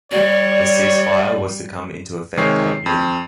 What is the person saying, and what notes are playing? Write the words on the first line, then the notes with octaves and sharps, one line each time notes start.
The cease-fire was to come into effect at noon.
G3 C#5 D5
C3 D#3 G#3 D#4 C#5 C7
F2